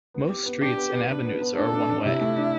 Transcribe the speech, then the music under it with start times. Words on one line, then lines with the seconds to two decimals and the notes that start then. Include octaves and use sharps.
Most streets and avenues are one-way.
0.14 B3
0.29 G4
0.46 B3
0.61 D4 G4
0.77 B3
0.93 B3
1.09 D4 B4
1.26 B3
1.41 B3
1.57 D4 A4
1.74 D4
1.89 D4
2.05 C3 E4
2.21 A3
2.36 D4